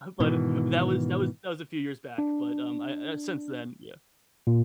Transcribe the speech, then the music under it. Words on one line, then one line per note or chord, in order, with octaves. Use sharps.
But that was that was that was a few years back, but, um, I I since then yeah.
G#2 B2 D#3 E3
D4
A#2